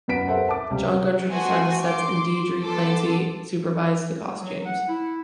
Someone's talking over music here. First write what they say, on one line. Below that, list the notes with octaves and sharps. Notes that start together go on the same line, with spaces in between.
John Gunter designed the sets and Deirdre Clancy supervised the costumes.
F#2 B3 B4 F#5 B6 D7
G4 A4 A#4 C5 E5 F#5
E5 A5 D6
C#2 C3 G3
A3 B3 C4 F#4 G#5 C6
C6 D6
B3 A4 A5 C6 D6 E6
F#3
F#5
E4